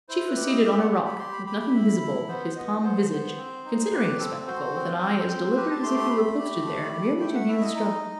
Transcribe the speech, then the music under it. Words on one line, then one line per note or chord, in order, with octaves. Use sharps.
The chief was seated on a rock, with nothing visible but his calm visage, considering the spectacle with an eye as deliberate as if he were posted there merely to view the struggle.
E4 C5
B4
G4
D#5
G4 E5
F#5
G4
B5
G4 C6
B5
G4 B5
B5
E4
E4
B3 C5
B3 D#5
B3 C5
B3 C5
C4
D#4
G4 B4
C4 A4
F#4 C5
C4
C4
C4
G4 B4
A5
A3 C6
C6
A3 B5
G4
A3
G4
A3 G5
F#5
E4 E5
D#5
D#4
D#4